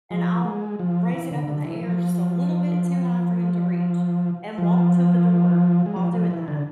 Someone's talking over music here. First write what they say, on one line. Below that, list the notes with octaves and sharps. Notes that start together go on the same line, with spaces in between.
and I'll raise it up in the air just a little bit too high for him to reach and walk to the door while doing that,
F3
G#3
F3
E3
D3
D3
E3
F3
F3
G#3
F3
F3
E3
D3